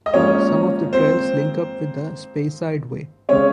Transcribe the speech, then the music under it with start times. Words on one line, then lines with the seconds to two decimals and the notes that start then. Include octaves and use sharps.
Some of the trails link up with the Speyside way.
0.06 D#5
0.14 G#2 F3 A#3 C#4 C#5
0.93 C4 C5
3.29 C#3 G#3 C4 C#4 C#5